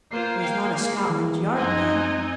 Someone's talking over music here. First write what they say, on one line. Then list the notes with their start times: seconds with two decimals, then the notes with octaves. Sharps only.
He is not a Scotland Yard man.
0.11 A#3 F4 C5 C7
0.42 F5 G5
0.79 G#3
1.10 E3
1.56 F#2 C4 D#4 D#5 G#5 F#6